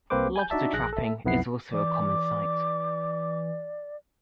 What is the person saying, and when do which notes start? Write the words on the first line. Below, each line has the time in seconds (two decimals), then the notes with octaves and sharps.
Lobster trapping is also a common sight.
0.10 C2 A#3 C4 B4 C5 D6
0.36 G#5 G6
0.50 D4 D#4 F#4 D5 E5 A5
0.73 A#1 G#4 F#6 A#6
0.93 A4 E5
1.25 B1 F2 B3 E4 F#5 C7
1.72 E3 D5 D6